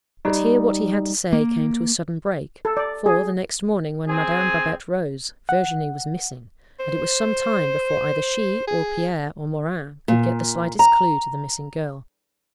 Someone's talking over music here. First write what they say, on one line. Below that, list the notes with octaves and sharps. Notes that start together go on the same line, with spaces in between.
But here what he had to say came to a sudden break; for, the next morning, when Madame Babette rose, Virginie was missing, and it was some time before either she, or Pierre, or Morin, could get the slightest clue to the missing girl.
G3 D#4
A#3
A4
D5
G#4
C4 G#4 G#5
F#5
C5
G#4
A#2
A#5